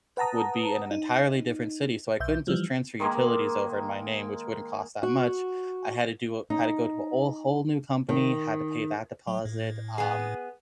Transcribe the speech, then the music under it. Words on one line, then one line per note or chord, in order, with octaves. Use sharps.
would be in an entirely different city, so, I couldn't just transfer utilities over in my name, which wouldn't cost that much. I had to do a had to go to a whole new company, had to pay that deposit, um,
B4 F#5 A5 A#5 D#6
D#4
B1 E5 G6
E3 F3 G3
D#3 G#3 A#3
F#4
D#4
D#3
F#3
A2
B3 G#4